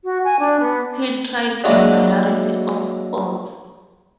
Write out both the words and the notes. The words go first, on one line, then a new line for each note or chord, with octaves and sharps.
He tried a variety of sports.
F#4
G#5
D4
B3
F#3 G#3 A#3 D4 E4 F#4